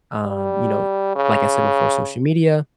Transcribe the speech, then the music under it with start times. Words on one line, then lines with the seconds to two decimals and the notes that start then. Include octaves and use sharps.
um, you know, like I said before, social media.
0.26 G3
1.16 C#3